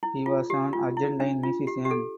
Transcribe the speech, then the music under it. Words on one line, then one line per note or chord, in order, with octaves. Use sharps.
He was an Argentine musician.
E4
F4
G4
F4
E4
D4
F4
G4
G4
A4